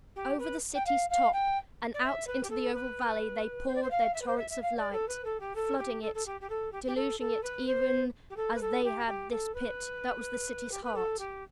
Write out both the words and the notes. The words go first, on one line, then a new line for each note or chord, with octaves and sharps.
Over the City's top and out into the oval valley they poured their torrents of light; flooding it, deluging it even as they had this pit that was the City's heart.
G4
B4
G5
F5
F5
G5
D5
E5
B4
G4
A4
B4
C5
D5
C5
F5
E5
B4
C5
E5
E5
F5
D5
A4
B4
A4
G4
A4
G4
A4
A4
G4
G4
A4
G4
G4
A4
A4
B4
C5
G4
A4
B4
A4
G4
G4
A4
B4
G4
B4
A4
G4